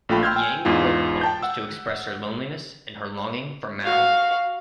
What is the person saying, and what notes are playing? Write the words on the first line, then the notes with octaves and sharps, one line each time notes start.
Yang wrote poems to express her loneliness and her longing for Mao.
A#1 A3 F4 G5 B5
G5 C6 E6 F6 G6 G#6
G5 G#5
E2 G#2 F4
G5 A5 G6
F#5 E6
F#4 F5